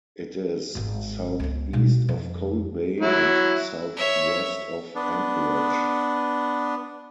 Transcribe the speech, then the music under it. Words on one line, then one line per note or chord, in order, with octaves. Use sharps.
It is southeast of Cold Bay and southwest of Anchorage.
G#1 G#2
C#2 B3
B2 G3
F2
F#3 E4
C#5 E5
B3 D4